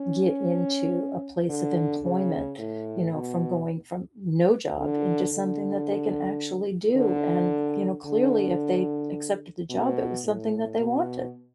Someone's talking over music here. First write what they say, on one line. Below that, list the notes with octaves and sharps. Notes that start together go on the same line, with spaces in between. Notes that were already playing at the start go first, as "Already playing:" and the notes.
get into a place of employment, you know, from going from no job into something that they can actually do, and, you know, clearly if they accepted the job, it was something that they wanted.
Already playing: C#4
D3
C#3
A2
B2
D3
D3
D3
D3
B2
A2
B2